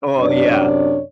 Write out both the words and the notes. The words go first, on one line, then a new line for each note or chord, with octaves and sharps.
Oh, yeah.
F#2 C3 D4 C#5 D5